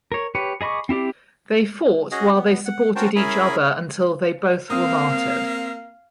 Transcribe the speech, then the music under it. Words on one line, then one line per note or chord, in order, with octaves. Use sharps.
They fought while they supported each other until they both were martyred.
A#4 C#5
G4 B4 C#5
G#4 D#5 B5 C#6 D6
C4 E4 G4 D5
C#4 F#4 G#4 D#5
B3
F#5
C#4 F#4 A#4 C5 G5 A5
C#4 E4 G#4 A#4 G#5 B5
A#3 C4 F5 D#6